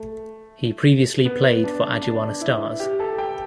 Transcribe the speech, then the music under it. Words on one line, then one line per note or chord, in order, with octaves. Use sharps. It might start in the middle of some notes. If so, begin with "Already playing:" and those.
He previously played for Aduana Stars.
Already playing: A3
B3
D4
D4
E4
G4
A4
G5